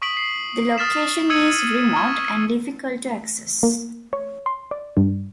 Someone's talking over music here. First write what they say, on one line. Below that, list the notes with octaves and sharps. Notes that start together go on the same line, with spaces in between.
The location is remote and difficult to access.
C#6 D#6 B6 D7 F#7
C7
D#6 F6 A6 B6 E7
D#6 E6 G#6 C#7 D#7 F#7
C#6 F6 G#6
A#3
C#5
C6
D5
G2